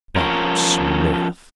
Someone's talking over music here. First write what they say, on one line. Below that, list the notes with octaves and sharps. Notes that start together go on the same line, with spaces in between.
Bob Smith!
F3 C#4 A#4